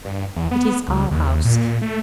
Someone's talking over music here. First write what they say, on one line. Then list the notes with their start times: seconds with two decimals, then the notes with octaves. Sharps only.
It is our House.
0.05 G2
0.36 E2
0.51 B3
0.88 C#2
1.11 D#2
1.45 A#2
1.82 A3